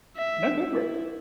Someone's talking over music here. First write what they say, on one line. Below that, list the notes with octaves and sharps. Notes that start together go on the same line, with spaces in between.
No, go for it.
E5
E4